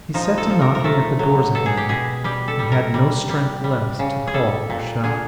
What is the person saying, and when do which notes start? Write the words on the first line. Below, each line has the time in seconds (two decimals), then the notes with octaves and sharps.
He set to knocking at the doors again: he had no strength left to call or shout.
0.14 F3 D#4
0.38 A4
0.50 F3
0.61 A#4
0.75 A#4
0.84 A3 A4
1.19 F#3
1.55 B2 A4
1.66 G#4
1.77 G4
1.89 B2 G#4
2.24 G3 G4
2.48 A4
2.59 G3
2.72 A#4
2.94 G3
3.30 G3
3.64 G3
3.99 C#3
4.27 G#4
4.34 G3 A4
4.70 A#2
5.04 D3 G#4